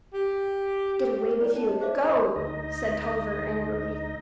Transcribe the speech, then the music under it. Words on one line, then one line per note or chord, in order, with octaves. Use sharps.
"Get away with you--go!" said Tulliver, angrily.
G4
E4 C#5 D5 B5
C#4 D#4 A5
C#5 D#5
G#4 C5 C#5 E5 F5 D6
C5
B4 E5
D2 D#4 D#5